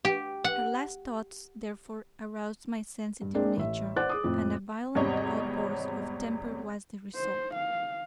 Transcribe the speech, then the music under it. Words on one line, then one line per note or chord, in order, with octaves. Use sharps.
Her last thoughts, therefore, aroused my sensitive nature, and a violent outburst of temper was the result.
G4
F#5
G2
G#3 A#3 C4 D4 G#4
A1 E5
C5 D5 F#5 D6 F#6 A6
G#4 D6 D#6
F2 A2 F3
G#1 E2 C3 G3 C#5 D#5
C5
F5